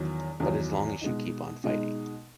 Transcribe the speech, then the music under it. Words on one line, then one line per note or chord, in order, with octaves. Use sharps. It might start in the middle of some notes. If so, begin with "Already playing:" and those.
But as long as you keep on fighting.
Already playing: E2 D#3 F#3
E2 D#3 F#3
B2 G#3 D#4
B2 G#3 D#4